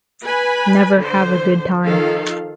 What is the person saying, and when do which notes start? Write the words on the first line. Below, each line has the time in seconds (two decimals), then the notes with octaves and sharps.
Never have a good time.
0.23 B4 G#5 B5
0.99 D3 C5
1.84 D#3 F3 A4 F5